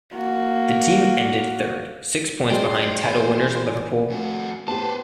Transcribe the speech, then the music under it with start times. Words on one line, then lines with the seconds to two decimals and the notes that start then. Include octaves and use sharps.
The team ended third, six points behind title winners Liverpool.
0.14 A#3 F#4
2.50 C#2 F#3 G#3 G#4 C5 D5 G5
3.03 E2 G#5 B5
4.10 F2 A3 F#4
4.68 A2 B3 G4 B4 C5 A5